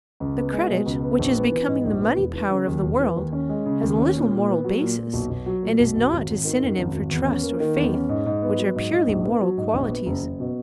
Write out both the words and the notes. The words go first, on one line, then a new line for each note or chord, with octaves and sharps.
The credit which is becoming the money power of the world has little moral basis and is not a synonym for Trust or Faith, which are purely moral qualities.
C#2
B3
G#3
B2
C#2
B3
A#1
B3
E3
G#2
A#1
B3
E1
E3
C#3
D#2
E1
E3
D#2
C#4
G#3
C#3
D#2
C#4
A#2
A#2
B3
F#3
A#2
A#2
B1
B1
F#3
A#2
B1
B1
G#1
G#1
D#3
F#2
G#1
G#1
E2
C#4
A#3
D#3
E2
C#4
G#2
G#2
B3
F#3
G#2
G#2
A#1
B3
F#3
G#2
A#1
B3
F#1
F#1
B2